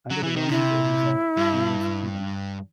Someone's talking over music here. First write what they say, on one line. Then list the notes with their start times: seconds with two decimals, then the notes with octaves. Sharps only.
Under the Romans it was a "municipium".
0.10 F#3
0.23 E3
0.36 D#3
0.50 C3 E4
1.37 G2